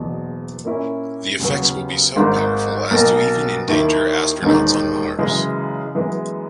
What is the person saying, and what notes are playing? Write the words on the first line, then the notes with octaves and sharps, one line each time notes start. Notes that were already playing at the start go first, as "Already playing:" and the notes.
The effects will be so powerful as to even endanger astronauts on Mars.
Already playing: F#1 E2 B2
A#2 A#3 C#4 E4
D#2 C#3 F#3 B3
G#1 G#2 D#3 A#3 D#4
B1 B2 A#3
D#2 D#3 A#3 E4
E1 D#2 D#3 A#3 D#4
F#2 C#3 E3 G#3
F#2 E3 G#3 B3